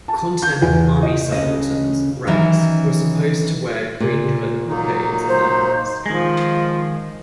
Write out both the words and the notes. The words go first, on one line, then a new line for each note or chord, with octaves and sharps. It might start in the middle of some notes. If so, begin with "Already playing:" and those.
Continental Army subalterns ranks were supposed to wear green colored cockades in their hats.
A5
G6
E2
D#5
D2 C#3 C#4 D#5
D#3 E3 F#3 C#4 D#4 E4
A#2
F#3 A#3 D#4
C5
D#3 F3 G#3